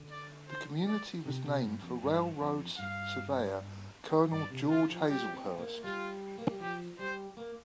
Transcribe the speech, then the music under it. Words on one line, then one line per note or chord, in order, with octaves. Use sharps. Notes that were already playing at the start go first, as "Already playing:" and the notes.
The community was named for railroad surveyor Colonel George Hazlehurst.
Already playing: D3
D5
C5
D5
C3
C3
G2
F2
G2
F2
G2 F5
G2 D5
C3
D3 F4
F3
G3 G4
C4
A#3
G3 F4
A#3
G3
F3 G4
G3 C5
A#3